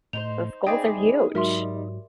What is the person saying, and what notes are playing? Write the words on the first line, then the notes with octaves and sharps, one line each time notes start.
Those goals are huge.
A2 D#4 E4 C5 F7
B3 D#4 E4 G#4 C5 D5 D#5 G5
G#2 F#3 G3 A#4 E5 C6